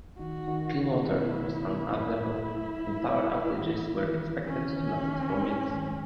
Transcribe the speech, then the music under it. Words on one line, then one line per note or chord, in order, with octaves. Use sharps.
Clean water was unavailable, and power outages were expected to last for weeks.
D#3 D#4 F#4
D#3 D#4
C#3 C#4
A3
B2 B3 E4
F#2 F#3
E2 E3
E3
D#3
C#3 C#4
D#3
D#3
G#2 G#3
F#2 F#3
D#3